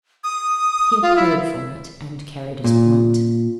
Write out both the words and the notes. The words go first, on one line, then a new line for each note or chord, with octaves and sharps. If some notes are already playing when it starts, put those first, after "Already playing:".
He had played for it, and carried his point.
D#6
F4
E4
A#2